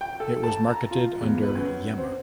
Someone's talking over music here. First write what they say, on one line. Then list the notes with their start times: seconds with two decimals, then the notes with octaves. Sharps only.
It was marketed under Yema.
0.01 G5
0.20 A4
0.43 A5
0.71 A#5
0.91 F4
1.21 E2
1.43 B4
1.55 F#2
1.98 C4